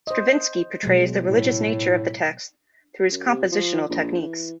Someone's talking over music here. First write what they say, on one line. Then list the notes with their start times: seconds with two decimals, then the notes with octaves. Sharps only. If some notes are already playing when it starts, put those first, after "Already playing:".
Stravinsky portrays the religious nature of the text through his compositional techniques.
0.07 C5 D#5
0.83 B2 F#3 G#3
1.27 A2
3.11 F#2
3.26 C3
3.52 F3
3.90 A#1
4.22 E3